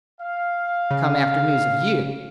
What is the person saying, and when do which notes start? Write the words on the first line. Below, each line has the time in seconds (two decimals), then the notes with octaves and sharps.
"Come after news of you."
0.21 F5
0.91 C#3